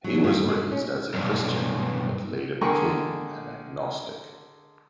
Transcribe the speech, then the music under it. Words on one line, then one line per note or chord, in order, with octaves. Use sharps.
He was raised as a Christian but later became an agnostic.
F#3
G2
G#3
C#4
B1 G2
D3 G#3 A#4 G5 G#5 C#6